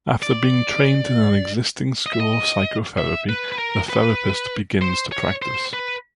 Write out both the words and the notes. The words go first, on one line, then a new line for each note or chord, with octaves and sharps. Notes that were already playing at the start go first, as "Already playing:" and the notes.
After being trained in an existing school of psychotherapy, the therapist begins to practice.
D5
D#5
E5
D#5
E5
B4
B4
A#4
B4
C5
C#5
C5
B4